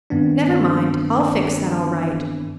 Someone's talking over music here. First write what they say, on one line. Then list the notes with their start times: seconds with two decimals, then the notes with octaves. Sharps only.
Never mind, I'll fix that all right.
0.10 G2 D#3 B3 C4 D4